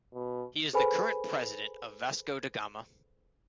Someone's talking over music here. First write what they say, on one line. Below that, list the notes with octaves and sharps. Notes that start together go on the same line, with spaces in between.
He is the current president of Vasco da Gama.
B2
G#4 A4 B4 C5 G#5 B5